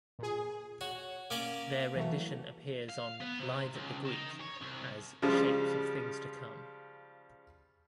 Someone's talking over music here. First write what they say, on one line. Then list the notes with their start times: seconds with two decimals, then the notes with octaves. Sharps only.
Their rendition appears on "Live at the Greek" as "Shapes of Things to Come".
0.19 A#2 G#4
0.81 F#4 C#5
1.30 A#3 C#4 D5 D6
1.96 E3 F#3 A3
2.89 F5
3.21 B3
3.40 C3
3.74 C#2
4.05 D#3
4.41 C#5
4.62 C2
5.22 C#3 F3 G3 G#3